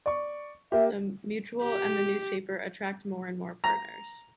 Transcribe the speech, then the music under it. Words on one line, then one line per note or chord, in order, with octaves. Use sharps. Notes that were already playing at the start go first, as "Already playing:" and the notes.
The mutual and the newspaper attract more and more partners.
D5 C#6
A#3 G4 E5
G4
A#5